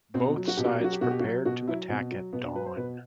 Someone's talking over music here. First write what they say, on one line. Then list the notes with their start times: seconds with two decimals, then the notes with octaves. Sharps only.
Both sides prepared to attack at dawn.
0.14 B2 C4
0.26 C4
0.37 F#3
0.48 F#4
0.57 B2 G4
0.65 F#4
0.75 G4
0.80 F#3 F#4
0.93 G4
1.01 B2 F#4
1.11 G4
1.20 F#4
1.24 F#3
1.45 B2 F#4
1.68 F#3 E4
1.89 B2 C4
2.11 F#3
2.33 B2 B3
2.44 D4
2.55 F#3 B4
2.66 C5
2.76 B2 B4